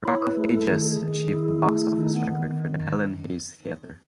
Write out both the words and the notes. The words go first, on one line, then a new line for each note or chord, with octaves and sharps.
"Rock of Ages" achieved the box-office record for the Helen Hayes Theatre.
E4 C#5
B4
A3 G#4
A4
D#3 G#4
A4
G#4
D#3
E4
A3
D#3 D#4
B3
D#3 B3